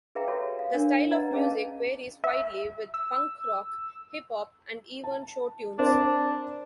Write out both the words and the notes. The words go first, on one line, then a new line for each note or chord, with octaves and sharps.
The style of music varies widely, with punk rock, hip-hop, and even show tunes.
G#4 B4 E5 F5 G5 A#5
F#4 G4 A4 C#5
F5
D4 A#4 C#5
B4 D5 D#5 F#5 A#5
C#4 G#4 B4 D#5 F5 A5
E5
E6
A5
C4 D4 A#4 C5